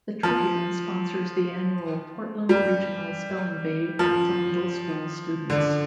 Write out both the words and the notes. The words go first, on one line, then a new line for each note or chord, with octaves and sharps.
The "Tribune" sponsors the annual Portland Regional Spelling Bee for middle school students.
F3
G3
F3
D3